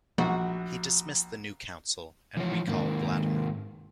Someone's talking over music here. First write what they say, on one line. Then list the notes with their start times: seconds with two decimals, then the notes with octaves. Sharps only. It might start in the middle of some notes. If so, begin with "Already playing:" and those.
He dismissed the new council and recalled Latimer.
0.18 A#1 F#4
2.37 E3 F3 C#5
2.68 G#2 D#3 A#3